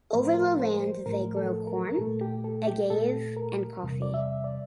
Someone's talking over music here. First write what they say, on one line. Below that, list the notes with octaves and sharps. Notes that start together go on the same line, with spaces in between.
Over the land they grow corn, agave and coffee.
A2 F3 A3 A#4
C5
A#4
C5
A#4
C5
A2 F3 A3 A#4
A4
A#4
A#4
A#2 A3 A4
G4
A4
G4
A#2 A3 A4
A#4
E2 C3 G3
D5
E5
D5